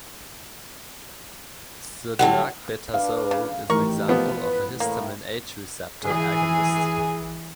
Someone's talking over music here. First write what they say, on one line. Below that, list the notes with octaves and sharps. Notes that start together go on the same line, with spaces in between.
The drug betazole is an example of a histamine H receptor agonist.
D3 F#3 G3 F#5
D4 B4 F5
C#3
A1 D#3 G4 A#4 C#6
F3 B3
B4
A2 A#3
E3 G#4